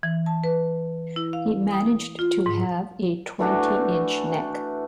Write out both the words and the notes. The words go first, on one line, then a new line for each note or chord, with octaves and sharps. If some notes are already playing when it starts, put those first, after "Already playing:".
He managed to have a twenty-inch neck.
E3
A5
B4
E4
F5
D#6
F4
G#2
E3 A3 D4 F#4